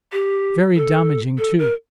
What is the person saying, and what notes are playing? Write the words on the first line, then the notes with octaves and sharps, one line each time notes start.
Very damaging, too!
G4
A4
A4
A#4